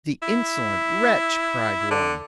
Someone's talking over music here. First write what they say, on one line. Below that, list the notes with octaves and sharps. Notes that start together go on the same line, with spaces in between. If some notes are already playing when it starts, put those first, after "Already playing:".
"The insolent wretch!" cried one.
E4
D3